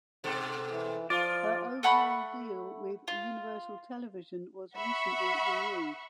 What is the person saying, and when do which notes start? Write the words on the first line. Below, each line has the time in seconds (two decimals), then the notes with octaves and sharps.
Her overall deal with Universal Television was recently renewed.
0.24 G#2 B2 A4
0.71 E3
1.10 F3 F4 D5
1.83 A3 F#5 B5 C#6
3.08 F4
4.75 E5 F#5 B5 C#6